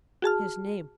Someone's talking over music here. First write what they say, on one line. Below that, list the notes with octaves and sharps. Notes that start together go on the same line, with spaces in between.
His name?
F#4 G#4 A5 F6